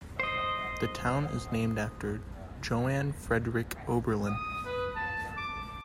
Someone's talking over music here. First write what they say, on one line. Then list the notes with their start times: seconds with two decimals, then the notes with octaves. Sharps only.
The town is named after Johann Friedrich Oberlin.
0.20 C5 D#5
4.26 D#6
4.65 B4
4.95 A5
5.37 D6